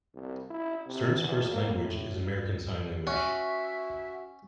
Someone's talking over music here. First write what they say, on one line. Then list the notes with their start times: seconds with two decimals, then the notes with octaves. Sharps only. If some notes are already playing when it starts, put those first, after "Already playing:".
Stern's first language is American Sign Language.
0.15 C2
0.50 E4
0.86 C3
1.19 E2
1.51 A#3
1.82 A2
3.07 C#4 F#4 E5 F#5